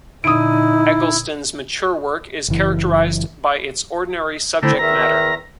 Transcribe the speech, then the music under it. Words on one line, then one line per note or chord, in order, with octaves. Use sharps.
Eggleston's mature work is characterized by its ordinary subject-matter.
A#2 D3 D#4 E4 D#6 D7
F#1 E3
D3 A3 C4 E4 A#5
E2 D#3 E5 A#5